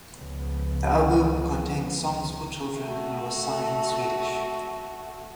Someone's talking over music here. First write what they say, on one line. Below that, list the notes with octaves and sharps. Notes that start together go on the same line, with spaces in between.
The album contained songs for children and was sung in Swedish.
C#2 C#3 F3 B3
A3 F#4